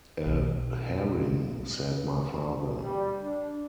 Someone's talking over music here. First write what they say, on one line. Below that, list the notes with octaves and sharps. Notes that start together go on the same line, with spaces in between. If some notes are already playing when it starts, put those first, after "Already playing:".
"A herring," said my father.
B1 B2
G3
D4